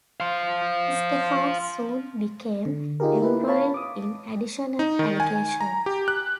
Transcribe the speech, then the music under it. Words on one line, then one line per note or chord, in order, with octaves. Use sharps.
Stephan soon became embroiled in additional allegations.
C5 F5
D3
D#4 F4 G4 G#4 A#4
A#3 E4 B4
C#5 F5 A5 B5
D6 D#6
D#4
D#3
G#5
A#5
G4
F#6